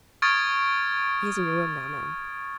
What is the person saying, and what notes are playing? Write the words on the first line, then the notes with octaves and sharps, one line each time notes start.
He is in your room now, ma'am.'
C#6 D#6 F6 G#6 A6 D7